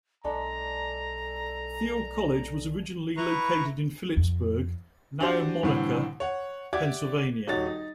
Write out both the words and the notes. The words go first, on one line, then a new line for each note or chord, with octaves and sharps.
Thiel College was originally located in Philipsburg, now Monaca, Pennsylvania.
B1 G#3 D4 A4 A#5
E4 B4 A#5 C#6
F2
D4 F#4 G4 C5
C2 A2 D3 E3 C4
C#5 F#5
G4 D5 E5 F#5 D6 G#6
D#1 D#4 F#4 C#5 A6
D#4